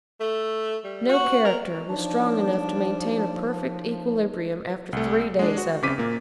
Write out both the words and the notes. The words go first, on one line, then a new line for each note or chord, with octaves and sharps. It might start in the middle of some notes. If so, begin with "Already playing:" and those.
No character was strong enough to maintain a perfect equilibrium after three days of it.
A3
G3
F#4
A#4
F3 D4 D#4 C#5 A5
C2 A3
G#3 D4
F#4
C#3 C4 D6 B6 D#7
A#2 A#3